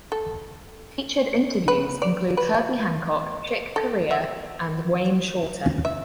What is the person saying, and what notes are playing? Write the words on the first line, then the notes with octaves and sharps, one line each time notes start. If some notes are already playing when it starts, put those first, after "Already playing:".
Featured interviews include Herbie Hancock, Chick Corea, and Wayne Shorter.
A4
B4
D5
B4
A4
E5
E5